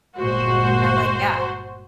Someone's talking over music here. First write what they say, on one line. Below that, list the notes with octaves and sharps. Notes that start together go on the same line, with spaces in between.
I'm like, "Yeah."
G1 A#2 G#3 F#4 C5